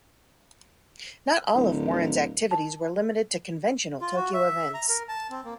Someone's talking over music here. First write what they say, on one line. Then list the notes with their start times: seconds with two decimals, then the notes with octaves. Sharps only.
Not all of Warren's activities were limited to conventional Tokyo events.
1.56 D1
2.51 A5
4.01 F4
4.17 F#4
4.34 E5
4.74 A#5
4.89 A#4
5.09 A5
5.30 C4
5.45 A#3